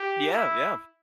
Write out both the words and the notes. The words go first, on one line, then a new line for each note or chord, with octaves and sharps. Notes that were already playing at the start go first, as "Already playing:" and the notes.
Yeah, yeah.
Already playing: G4
E4